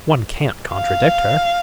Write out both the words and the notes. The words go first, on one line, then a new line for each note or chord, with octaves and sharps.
One can't contradict her.
F5